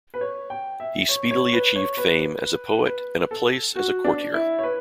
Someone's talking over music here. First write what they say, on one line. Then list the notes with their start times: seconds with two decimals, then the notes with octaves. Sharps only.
He speedily achieved fame as a poet and a place as a courtier.
0.14 B4
0.21 C#5
0.50 G5
0.80 E5
1.09 C#5
1.31 C#5
1.53 B4
1.76 C#5
1.97 B4
2.86 B4
3.31 A4
3.76 F#4
4.04 D4
4.34 E4
4.59 C#5
4.63 B4